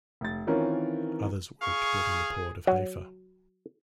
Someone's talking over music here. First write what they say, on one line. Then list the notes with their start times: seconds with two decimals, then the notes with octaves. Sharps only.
Others worked building the Port of Haifa.
0.21 F1 A6
0.47 D#3 E3 C4 C#4 F4 A#4
1.62 G#4 F5 C#6
2.67 F#3